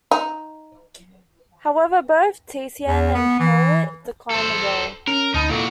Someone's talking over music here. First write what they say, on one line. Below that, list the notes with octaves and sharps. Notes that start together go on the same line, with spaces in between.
However, both Thiessen and Hewitt declined the role.
D#4
E2
B3
E3
A4 C5
C#4 A#4
D2 D#4 A5 B5
A#2 E4 F#4 A4